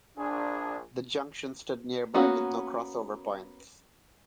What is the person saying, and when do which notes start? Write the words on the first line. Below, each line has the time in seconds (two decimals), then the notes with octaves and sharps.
The junction stood nearby with no crossover points.
0.17 A#1 D4 G#4
2.14 A#3 B3 C#4 F#4